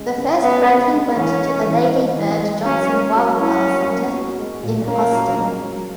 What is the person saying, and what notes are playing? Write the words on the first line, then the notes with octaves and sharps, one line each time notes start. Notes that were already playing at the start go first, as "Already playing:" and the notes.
The first ranking went to the Lady Bird Johnson Wildflower Center in Austin.
Already playing: C#3 G#3
C#3
B3 C#4
C#3
G#3
E3 C#4
G#3
E3
D#4
E3
G#3
F#3 C#4
A#3
F#3
C#4 E4
F#3
A#3
F#4
G#3
A#2
A#3 C#4
F#4
G#3
F#3